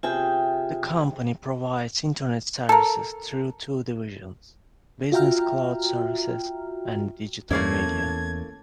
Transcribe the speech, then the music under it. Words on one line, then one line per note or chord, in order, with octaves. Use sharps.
The company provides Internet services through two divisions: Business Cloud Services and Digital Media.
C3 F4 G4 G#4 E5 G5
A4 A#4
F4 F#4 E5 G5 A#5 F6
E2 A3 A#3 C#4 E4 G#6